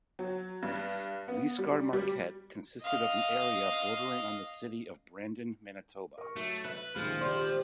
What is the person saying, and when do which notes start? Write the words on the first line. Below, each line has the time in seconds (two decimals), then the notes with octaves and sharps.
Lisgar-Marquette consisted of an area bordering on the City of Brandon, Manitoba.
0.19 F#3
0.63 G2
1.28 B3
1.59 G3
1.93 G3
2.83 D#5 F5
6.18 A#4 C#6
6.36 F#3 A3
6.65 B4 E5
6.96 C#2 A#2 D#3 F3
7.21 G4 C5 D5